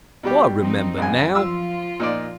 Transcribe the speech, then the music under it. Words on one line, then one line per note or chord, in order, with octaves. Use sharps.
I remember now!
B2 G3 G4
F3 C4 D#4
A#1 F#2 G#5
F3 F4 E6
A#2 D#4 D5